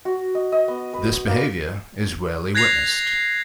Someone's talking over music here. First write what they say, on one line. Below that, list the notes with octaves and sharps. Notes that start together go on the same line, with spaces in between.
This behaviour is rarely witnessed.
F#4
D#5
D#5
B3
B4
A#3
F#6 G#6 A#6 C7 F7